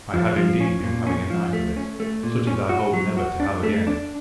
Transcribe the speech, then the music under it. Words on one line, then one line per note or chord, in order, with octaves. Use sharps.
I had, indeed, been having a night of it, such as I hope never to have again.
F3
F3
C#4
A#2
C#4
F3
A3
C#4
A3
A#2
C#4
F#4
F#3
F#4
D4
A3
D4